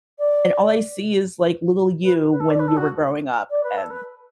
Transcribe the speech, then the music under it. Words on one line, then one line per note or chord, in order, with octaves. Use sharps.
and all I see is, like, little you when you were growing up, and
D5
B4
B4
A4
D5
B4
A4
F#4
D5
B4
A4
B4